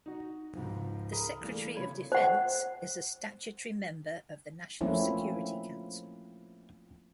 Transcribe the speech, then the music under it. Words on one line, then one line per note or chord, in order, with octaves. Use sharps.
The Secretary of Defense is a statutory member of the National Security Council.
D#4 F#4
C#2 G#2 F3
G#4 A#4 A#5 B5 D#6
E3 G3 A3 A#3
C#3 F4 C#5 B5 G#6
C5 F#5
F3 A3 A#3 C4 C#4 E4